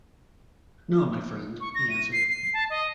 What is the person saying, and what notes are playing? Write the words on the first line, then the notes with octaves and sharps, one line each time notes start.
"No, my friend," he answered.
C#6
A#6
D#7
C7
C7
A5
D#5